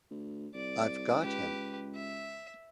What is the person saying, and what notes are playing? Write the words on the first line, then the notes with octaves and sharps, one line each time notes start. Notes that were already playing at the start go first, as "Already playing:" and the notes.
I've got him!
D2
C2 D5
C#2 G4 B4
E5